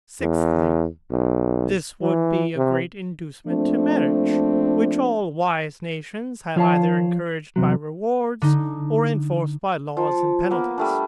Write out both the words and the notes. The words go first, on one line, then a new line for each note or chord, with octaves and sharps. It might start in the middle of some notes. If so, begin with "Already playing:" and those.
Sixthly, This would be a great inducement to marriage, which all wise nations have either encouraged by rewards, or enforced by laws and penalties.
E2
B1
E3
C3
F3 A3 A#3 C4 D4
F3 F4 C#5 E5 F5 A5
E2 C3 F#3
D3 D#4
F3
A#3 B3
G3 A3 D4